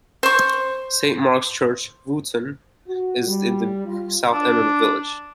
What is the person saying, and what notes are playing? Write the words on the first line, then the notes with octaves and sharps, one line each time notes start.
Saint Mark's Church, Wootton is in the south end of the village.
C5 C#6
F#4
G3
F4
D4